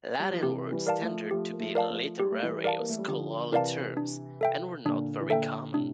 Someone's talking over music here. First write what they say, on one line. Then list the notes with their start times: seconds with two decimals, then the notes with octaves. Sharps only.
Latin words tended to be literary or scholarly terms and were not very common.
0.20 G3
0.31 F3
0.43 C3 E3 G4
0.72 E3 G3
0.87 A#4 D5 F5 A5
1.01 F3 A3
1.31 F3 A3 G4
1.53 A#3
1.60 F3 A3
1.75 A#4 D5 F5 A5
1.90 F3 A3
2.20 G3 G4
2.32 A3
2.43 E3 G3
2.64 A#4 D5 F5 A5
2.80 A#3
2.89 A3
2.98 G3
3.08 D3 F3 G4
3.52 C3 E3 A#4 D5 F5 A5
3.97 D4
4.41 A4 E5 G5
4.85 A#2 D3 D4
5.21 E3
5.30 A#2 D3 A4 E5 G5
5.74 A2 C3 D4